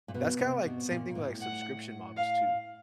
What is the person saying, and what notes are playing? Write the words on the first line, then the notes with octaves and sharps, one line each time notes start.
That's kinda like same thing with, like, subscription models too.
A#2
B2
C3
B2
A#2
A2
F#5
F5